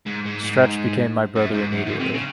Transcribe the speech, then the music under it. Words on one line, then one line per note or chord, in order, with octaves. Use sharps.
Stretch became my brother immediately.
G#2
G#2
G#2
F#2
G#2
F#2
G#2
C3
C#3